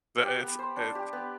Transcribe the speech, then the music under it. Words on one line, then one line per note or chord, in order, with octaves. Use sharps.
the it's it
G4
B3
C5
D4
G4
B3